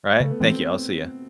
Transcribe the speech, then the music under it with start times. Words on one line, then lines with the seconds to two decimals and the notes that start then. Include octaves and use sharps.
Right. Thank you, I'll see ya.
0.20 C#3 A3
0.30 B3
0.40 E3 G#3 C4